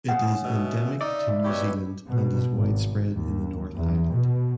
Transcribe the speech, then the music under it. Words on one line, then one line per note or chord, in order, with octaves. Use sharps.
It is endemic to New Zealand and is widespread in the North Island.
C#3 F#5
B2 E5
D#4 D5 E5
B2 G4 C#5 B5
B2
G#1
D#2
E2
B2